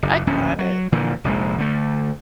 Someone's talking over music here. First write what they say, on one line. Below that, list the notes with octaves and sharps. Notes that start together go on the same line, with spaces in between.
I got it.
F#1
D1 A#1 E2 C#4
F#3
A#2 D3 E3 F3
F1 A#1 G#3
D3 A3